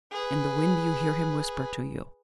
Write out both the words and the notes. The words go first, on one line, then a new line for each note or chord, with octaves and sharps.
In the wind you hear him whisper to you.
G#4 B4